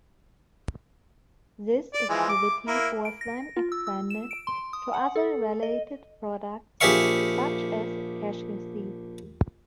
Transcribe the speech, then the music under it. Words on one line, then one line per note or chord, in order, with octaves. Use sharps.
This activity was then expanded to other related products, such as cashew seed.
D5
E3 F3 G#3
D6
A#3 E4
D7
A#6
F4
E6
E6
E7
D7
C6
D#6
F#5
A4
D#5
A#1 G4 G#4 E5 F5 C#6